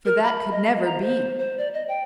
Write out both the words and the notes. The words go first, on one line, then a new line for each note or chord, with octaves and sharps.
For that could never be.
A#4
B5
D#5
A#5
C5
C5
D5
D#5
G5